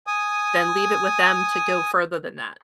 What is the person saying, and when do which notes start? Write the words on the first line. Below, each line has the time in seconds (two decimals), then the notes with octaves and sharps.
then leave it with them to go further than that.
0.07 G#5 D#6